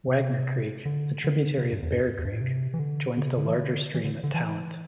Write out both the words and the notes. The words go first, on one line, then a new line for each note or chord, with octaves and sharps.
Wagner Creek, a tributary of Bear Creek, joins the larger stream at Talent.
C3
D3
D3
D3
C3
G2
E2
G2
E2
G2
A2
C3
E3
D3
D3
C3
D3
E3
D3
E3
D3
D3
E3